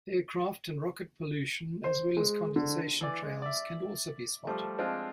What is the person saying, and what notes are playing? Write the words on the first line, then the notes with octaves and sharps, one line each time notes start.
Aircraft and rocket pollution, as well as condensation trails, can also be spotted.
C5
G#3
D3
E3 D5
G#3
D5 E5
F3 G3 A3
F3 G#3 C4 D4 F4